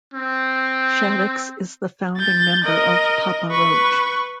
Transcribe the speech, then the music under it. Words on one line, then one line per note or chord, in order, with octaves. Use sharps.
Shaddix is the founding member of Papa Roach.
C4
G6 A6
A#4 D#5
B4 C#6